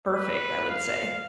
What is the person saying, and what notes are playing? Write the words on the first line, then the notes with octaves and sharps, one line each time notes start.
perfect, I would say.
B4
F5